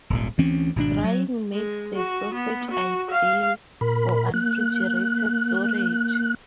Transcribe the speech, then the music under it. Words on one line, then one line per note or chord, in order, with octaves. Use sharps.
Drying makes the sausage ideal for unrefrigerated storage.
D#1 G#1 A#2
D2 E3 C4 C#4
G#1 B2 C4 D4
F#3
G#3
F#4
B3
F#4
F5
A#2 A#4 B5
A#3 F#6